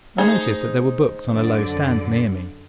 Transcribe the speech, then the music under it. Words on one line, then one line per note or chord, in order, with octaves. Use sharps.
I noticed that there were books on a low stand near me.
A3 D#4 G#4 C5
F#2 D3 D5